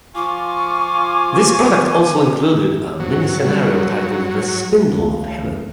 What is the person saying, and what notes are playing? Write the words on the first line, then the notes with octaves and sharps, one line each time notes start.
This product also included a mini-scenario titled "The Spindle of Heaven".
F3 F4 G#5 C#6 D6
G#2 F#3
G3
C#2 C#3 A3